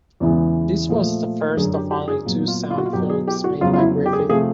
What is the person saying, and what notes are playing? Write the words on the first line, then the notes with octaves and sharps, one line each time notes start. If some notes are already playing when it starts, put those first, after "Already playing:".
This was the first of only two sound films made by Griffith.
E2 C#3 E3 G#3 B3
A#2 F3 A3
F#2 D3 F#3 G#4
G4
G4
G#4
A#2 F#3 B3
F4
F4
F#4
F4
B2 F#3 B3 G4
G#4
G4
F#4
F2 C#3 F#3 B3 F4
F4
E4
G4
G#4
C3 F3 A3 G#4